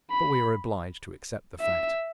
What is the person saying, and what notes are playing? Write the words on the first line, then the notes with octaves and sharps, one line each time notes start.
But we are obliged to accept the fact.
B5
E5